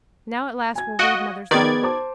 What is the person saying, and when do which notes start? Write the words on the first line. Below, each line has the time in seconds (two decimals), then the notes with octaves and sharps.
Now at last we'll read mother's letter.
0.75 G#5 G#6
0.99 F#4 D#5 F5 D7
1.51 D#3 B3 G#4 B4 D5 G#6
1.83 C5 A5 D6